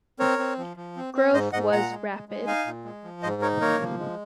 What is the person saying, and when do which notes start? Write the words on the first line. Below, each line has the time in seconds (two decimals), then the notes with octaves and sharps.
Growth was rapid.
0.19 C4 A#4 C#5
0.39 C4
0.58 F3
0.77 F3
0.96 C4
1.14 C4
1.33 G#2 C5 D#5
1.53 G#2 D#5 F#5
1.72 A#2 F#5 A#5
1.90 G#3
2.10 G#3
2.29 G#3
2.47 D#4 F5 G#5
2.66 A#2
2.85 G#3
3.04 F3
3.23 G#2 C5 D#5
3.42 D#4 A#4 C#5
3.61 A#3 A#4 C#5
3.80 F3
3.99 G#3